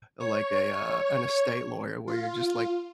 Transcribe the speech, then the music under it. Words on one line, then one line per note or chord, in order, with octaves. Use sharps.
like a, uh, an estate lawyer where you're just
C#5
F4